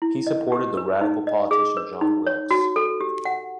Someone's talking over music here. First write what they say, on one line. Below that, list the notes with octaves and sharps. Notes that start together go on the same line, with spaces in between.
He supported the radical politician John Wilkes.
E4
D#5
G4
B4
D#4
D#5
G#4
B4
D#4
C#5
F#4
A4
G4
F#5